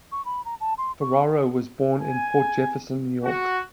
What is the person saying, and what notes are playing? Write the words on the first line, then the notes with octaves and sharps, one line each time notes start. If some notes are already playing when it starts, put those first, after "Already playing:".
Ferraro was born in Port Jefferson, New York.
C#6
B5
A#5
A5
C6
C#6
G#5
F#4